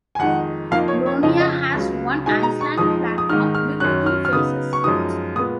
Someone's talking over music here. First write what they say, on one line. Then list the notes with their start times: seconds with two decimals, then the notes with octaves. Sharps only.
Boronia has one island platform with two faces.
0.15 G#5
0.19 F2 D#3 G#3 D#4 F#5
0.71 F2 F3 A#3 D#4 F5
0.88 C#5
1.06 C#5
1.23 F2 C#3 F3 D#5
1.40 D#5
1.74 C#2 C#3 F#3
2.26 B2 G#3 D#4 G#5
2.43 A#5
2.61 C#6
2.78 F2 F3 G#3 D#4 D#6
3.18 D#6
3.29 G#2 D#3 G#3 D#4 F6
3.55 F6
3.80 F#2 D#3 F#3 C#4 F#6
4.06 F6
4.25 F6
4.33 C#3 F#3 B3 D#4 D#6
4.73 C#6
4.84 F#2 F3 G#3 D#4 D#6
5.36 A#2 G#3 B3 D#6